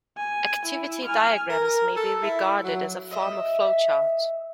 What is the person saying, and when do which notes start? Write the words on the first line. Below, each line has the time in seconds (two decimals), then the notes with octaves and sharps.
Activity diagrams may be regarded as a form of flowchart.
0.17 G#5
0.65 E4
1.04 G#5 F6
1.49 A#4
1.64 A#4
1.96 A4
2.23 E4
2.64 F#3
3.11 D#5 E5